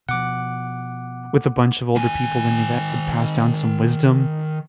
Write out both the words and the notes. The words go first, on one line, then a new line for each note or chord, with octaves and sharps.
with a bunch of older people than me that could pass down some wisdom.
B2 F3 F#5 D6
D#3 G#5